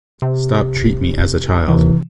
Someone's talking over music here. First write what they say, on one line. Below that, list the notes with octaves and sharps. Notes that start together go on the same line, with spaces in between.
Stop treat me as a child.
C3
D#2 C3 E3